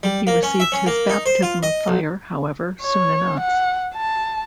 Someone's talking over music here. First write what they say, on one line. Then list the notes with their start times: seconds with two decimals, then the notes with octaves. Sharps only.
He received his baptism of fire, however, soon enough.
0.03 G3
0.27 A#3
0.43 C#4
0.60 E5
0.72 C#4
0.86 A#3
1.09 D#4
1.26 C5
1.43 F4
1.63 D#5
1.88 B1
2.82 C#5
3.40 F#5
3.95 A5